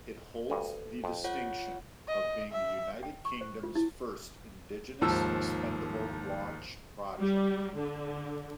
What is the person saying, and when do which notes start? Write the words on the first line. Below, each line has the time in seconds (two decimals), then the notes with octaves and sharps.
It holds the distinction of being the United Kingdom's first indigenous expendable launch project.
0.50 D2 G2 A4
1.04 F2
1.24 F4 C#5 F#5
2.08 D#5
2.52 E5
3.03 G5
3.25 C#6
3.41 C5
3.63 F4
3.75 E4
5.01 D#2 G#2 F3 A5 E6
7.17 G3
7.77 D3